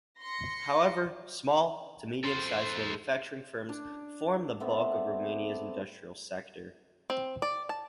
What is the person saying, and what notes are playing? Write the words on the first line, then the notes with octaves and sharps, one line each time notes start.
However, small- to medium-sized manufacturing firms form the bulk of Romania's industrial sector.
C6 A#6 C#7
A4 C5
D4
A3 B3 C4
C4
D5
A5